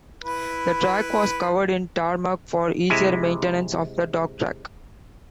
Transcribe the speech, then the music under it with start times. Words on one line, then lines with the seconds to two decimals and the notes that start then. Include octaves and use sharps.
The track was covered in tarmac for easier maintenance of the dog track.
0.24 E4 B4
2.90 C3 G#3 E4 G#5